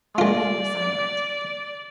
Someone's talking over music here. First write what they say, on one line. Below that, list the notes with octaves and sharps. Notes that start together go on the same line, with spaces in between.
All again was silent.
G#3 F4 D5